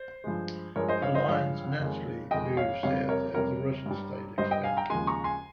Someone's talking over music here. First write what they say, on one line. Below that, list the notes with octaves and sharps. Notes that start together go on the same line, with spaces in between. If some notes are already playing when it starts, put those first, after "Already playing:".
The lines naturally moved south as the Russian state expanded.
Already playing: C5
G2 F3 G#3
G2 F3 G#3 A#4 C#5
C5 D#5
C#5 F5
C5 D#5
G2 F3 G#3 C#5 F5
F2 D#3 G#3
F2 D#3 G#3 D#5 G5
C#5 F5
F2 C3 G3 C#5 F5
A#4 C#5
F2 C3 G3 A#4 C#5
G2 G3
G2 G3 C5 D#5
D#5 G5
F5 G#5
G5 A#5
D#2 C#3 F3 G#3 G#5 C6
A#5 C#6
G#5 C6